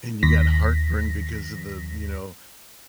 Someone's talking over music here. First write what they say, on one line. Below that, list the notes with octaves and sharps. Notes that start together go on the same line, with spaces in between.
And you got heartburn because of the, you know,
D#2 A#6 B6